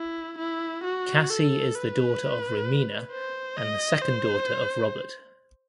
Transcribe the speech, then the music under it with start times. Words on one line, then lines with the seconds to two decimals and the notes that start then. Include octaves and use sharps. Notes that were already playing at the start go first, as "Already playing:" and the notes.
Cassie is the daughter of Romina and the second daughter of Robert.
Already playing: E4
0.38 E4
0.84 F#4
1.30 A4
1.75 B4
3.12 C5
3.57 D#5
4.02 C5